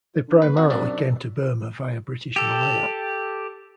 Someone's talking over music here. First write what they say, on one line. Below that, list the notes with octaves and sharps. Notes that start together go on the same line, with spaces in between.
They primarily came to Burma via British Malaya.
D3
D#2 B4
C3 F#4
F#2 D4 D5
G4 A4